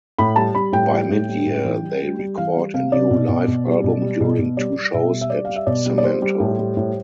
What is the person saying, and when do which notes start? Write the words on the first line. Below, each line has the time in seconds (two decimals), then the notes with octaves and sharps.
By mid-year, they record a new live album during two shows at Cemento.
0.18 A2 B5
0.36 G3 A5
0.55 G3 B5
0.72 A2 G5
0.91 G3
1.10 A2
1.28 G3
1.46 A2
1.64 E3
1.83 G3
2.02 G3
2.19 G3
2.38 E3 F5
2.57 G3
2.74 C3 F5
2.92 C3 D5
3.11 B2
3.29 B2
3.48 B2
3.66 G3
3.84 B2
4.02 G3
4.20 B2
4.39 B2
4.57 G3 D5
4.75 G3
4.94 B2 E5
5.12 G3
5.21 E5
5.30 G3 D5
5.45 G3 F5
5.56 E5
5.67 B2 D5
5.86 G3
5.98 D5
6.03 G3 C5
6.22 G3
6.40 A2
6.58 G3
6.77 A2